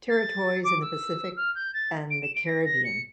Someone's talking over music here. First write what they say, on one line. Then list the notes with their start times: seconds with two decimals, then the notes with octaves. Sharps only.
Territories in the Pacific and the Caribbean.
0.09 A6
0.64 D6
0.81 E6
1.37 F6
1.55 G6
1.74 A6
2.10 D7
2.23 E7
2.35 D7
2.47 A#6
2.65 A#6
2.84 C#7